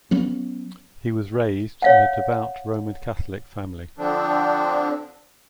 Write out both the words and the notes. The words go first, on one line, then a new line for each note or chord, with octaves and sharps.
He was raised in a devout Roman Catholic family.
F#3 B3 C#4
C#5 F5 F#5
D3 F3 C4 D4